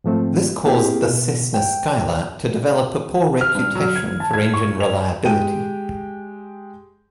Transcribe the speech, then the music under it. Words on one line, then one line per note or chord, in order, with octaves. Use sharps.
This caused the Cessna Skylark to develop a poor reputation for engine reliability.
G#2 F3 A3 C4
A#3 C4 E4 G4 G#4
B2
G5
F6
G2
F#3
G#6
A5
G#6
C#6
F7
G#3 G4 G5 D#7